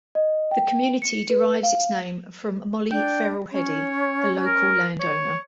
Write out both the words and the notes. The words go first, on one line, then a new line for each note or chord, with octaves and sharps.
The community derives its name from Mollie Ferrel Heady, a local land owner.
D#5
G5
C#7
B4
F5
D4 G5
C#4 C#5
A#4
C#5